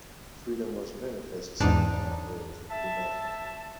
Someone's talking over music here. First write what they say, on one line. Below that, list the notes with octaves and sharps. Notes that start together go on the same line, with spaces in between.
Freedom must manifest itself in all areas of human life.
E2 G#2 D4 D#4
E5 A5